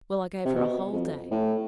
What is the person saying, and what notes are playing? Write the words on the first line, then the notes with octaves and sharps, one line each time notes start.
Well, I gave her a whole day.
C3
B2
F2
A2